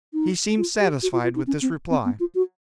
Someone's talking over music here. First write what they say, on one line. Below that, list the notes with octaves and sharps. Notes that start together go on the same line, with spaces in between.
He seemed satisfied with this reply.
D#4
F4
G4
F#4
F4
F4
D#4
C#4
C4
C4
B3
F4
F#4